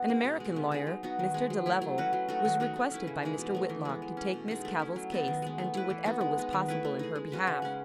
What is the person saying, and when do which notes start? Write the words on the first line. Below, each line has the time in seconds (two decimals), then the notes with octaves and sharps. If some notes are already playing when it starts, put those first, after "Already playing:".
An American lawyer, Mr. de Leval, was requested by Mr. Whitlock to take Miss Cavell's case and do whatever was possible in her behalf.
Already playing: B3 F#4
0.09 G#3 D#4
0.25 B2
0.40 G#3 B3
0.56 C#3
0.72 G#3 D#4
0.87 F#3
1.03 B3 D#4 F#4
1.19 D#3
1.34 G#3 D#4
1.50 F#3
1.66 A3 E4
1.82 F#3
1.98 C#4 F#4 B4
2.13 F#3
2.29 A3 D#4 F#4
2.45 D#3
2.60 A3 D#4 F#4
2.76 A3
2.91 C#4 E4 B4
3.07 C#3
3.23 E3 G#3 D#4
3.38 B2
3.55 A3 D#4
3.70 E3
3.85 G#3 B3
4.02 E3
4.17 A3 C#4
4.33 B2
4.48 G#3 D#4 G#4
4.65 A3
4.79 C#4 E4
4.96 F#3
5.12 B3 D#4 A4
5.28 D#3
5.42 G#3 B3
5.58 A3
5.74 E4 B4
5.90 E3
6.06 B3 D#4 F#4
6.21 G#3
6.38 B3 D#4
6.53 D#3
6.68 A3 E4 B4
6.85 A3
6.99 D#4 G#4
7.15 G#3
7.32 C#4 F#4 B4
7.47 C#3
7.62 G#3 C#4